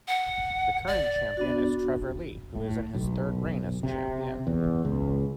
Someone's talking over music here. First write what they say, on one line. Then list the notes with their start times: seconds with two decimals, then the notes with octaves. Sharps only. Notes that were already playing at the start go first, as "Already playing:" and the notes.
The current champion is Trevor Lee who is in his third reign as champion.
0.08 F#5
0.87 D5
1.37 B3 D4 F#4
2.55 A2
2.94 B1
3.83 C3
4.47 E2
4.85 C#2